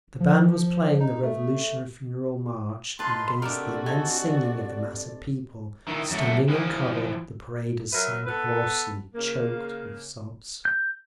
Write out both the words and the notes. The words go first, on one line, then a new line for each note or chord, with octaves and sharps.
The band was playing the Revolutionary Funeral March, and against the immense singing of the mass of people, standing uncovered, the paraders sang hoarsely, choked with sobs....
F3
D#4
A3
D#4 F4 B4 A5 B5 C6
C3 A3 D4 F#4 A#4 D5
D#4 A4 G#5
D#3 E3
F#2 A3
E3 F3
F#3 A#4 B4 E5
B3 A4 B4
C#3 A#3
G6